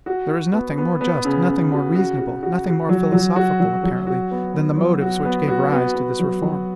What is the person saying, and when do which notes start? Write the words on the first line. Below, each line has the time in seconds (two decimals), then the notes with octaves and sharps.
There is nothing more just, nothing more reasonable, nothing more philosophical apparently, than the motives which gave rise to this reform.
0.06 F#4
0.30 F#4
0.53 B3
0.78 B3
1.01 B3
1.25 C#3
1.48 C#3
1.71 F#4
1.95 F#4
2.18 F#4
2.43 F#4
2.66 F#4
2.89 F#3
3.12 F#3
3.36 F#4
3.60 F#3
3.83 F#3
4.07 F#4
4.31 B3
4.54 B3
4.77 F#3
5.02 F#4
5.25 B3
5.48 F#4
5.72 B3
5.95 B3
6.19 F#3
6.42 F#3